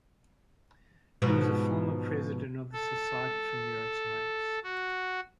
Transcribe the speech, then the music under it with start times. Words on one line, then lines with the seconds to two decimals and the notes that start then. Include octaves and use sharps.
He was a former president of the Society for Neuroscience.
1.22 G#2 B2 F3
2.73 A4
4.64 F#4